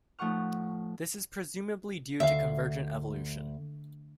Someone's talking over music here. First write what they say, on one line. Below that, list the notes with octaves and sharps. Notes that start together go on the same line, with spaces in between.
This is presumably due to convergent evolution.
A2 F3 D#4 F#5 C#6 F6
D2 E5 F5